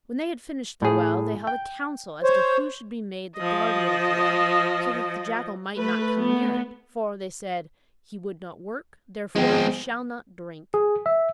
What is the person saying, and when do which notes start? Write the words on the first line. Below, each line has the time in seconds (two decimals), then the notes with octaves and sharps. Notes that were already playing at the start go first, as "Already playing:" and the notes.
When they had finished their well, they held a council as to who should be made the guardian of the well, so that the jackal might not come near it, for, they said, 'he would not work, therefore he shall not drink.'
0.82 A2 G#4
1.47 G5
2.23 C5 C#5
3.37 F3 D#5
5.77 A3 B4
6.18 B3
9.36 F3 G#3 B3 C4 G#4
10.74 G#4
11.06 E5